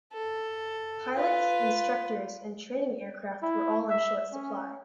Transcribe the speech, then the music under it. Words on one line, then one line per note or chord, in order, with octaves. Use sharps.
Pilots, instructors, and training aircraft were all in short supply.
A4
F4 B4
E4
E5
C#4